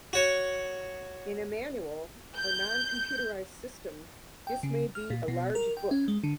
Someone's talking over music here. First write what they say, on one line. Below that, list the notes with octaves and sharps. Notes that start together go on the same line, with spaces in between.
In a manual or non-computerized system this may be a large book.
F#4 C#5
G6
G5
C#3
F6
A#2
B2
A#4
G5
C#4
G#3
D3